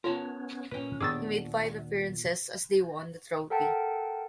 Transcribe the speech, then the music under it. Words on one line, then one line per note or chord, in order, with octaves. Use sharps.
He made five appearances as they won the trophy.
B3 C#4 F4 A#4 C#5 A5
A#2 A#3 C#4 B4 G5
D#2 B2 D#3 D4 G#4 D6 E6 A6
A4 A#4 F#5 G5 A5